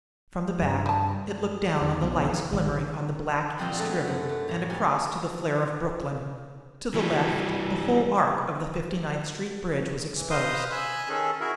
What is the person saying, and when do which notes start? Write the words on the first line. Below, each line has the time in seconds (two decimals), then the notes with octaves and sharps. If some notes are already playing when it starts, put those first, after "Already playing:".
From the back it looked down on the lights glimmering on the black East River and across to the flare of Brooklyn; to the left the whole arc of the Fifty-ninth Street Bridge was exposed.
0.62 G2
0.86 G3 A5
1.81 E2
2.02 B1
2.29 E3
2.52 G#1
3.58 A#2 G3 C4 F#4 D#5 F5
3.79 G#3 A3 B3 D4 F#4
4.05 F#2 F#5
4.29 A3
4.48 A2 C#5 A#5
4.70 E2 G3 G#5
6.94 E3 G3
10.15 E3
10.30 B4 C5 D#5 F5 C6 D#6
10.72 G#5 B5 E6 F#6
11.09 D#3 C#4 G#4 A4
11.41 E4 F#4 G#4 A#4 E5